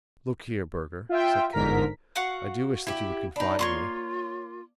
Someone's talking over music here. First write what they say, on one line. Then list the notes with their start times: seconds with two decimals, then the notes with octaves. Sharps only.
"Look here, Burger," said Kennedy, "I do wish that you would confide in me."
1.09 F4 E5 G5
1.52 G1 G#2 D3 A#4 A#5 B6
2.15 F#4 F5 F#5 C#6
2.87 E4 G4
3.36 D4 D#4 B5
3.59 A#3 F4 C#5 C6 C#6